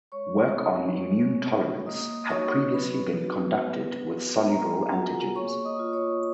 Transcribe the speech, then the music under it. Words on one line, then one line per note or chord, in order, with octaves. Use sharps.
Work on immune tolerance had previously been conducted with soluble antigens.
G#3 C#5 C#6
D#4 F#4
G#3
C#4 F#4
A#3 D#5 D#6
D#4 F#4 C#5 C#6
F#3 B4 B5
B3 D#4 F#4
B3
F#4
B3 A#4 A#5
G#4 G#5
F4 F#4 F#5
G#4 G#5
A#3 C#5 C#6
D#5 D#6
F4
C#5 C#6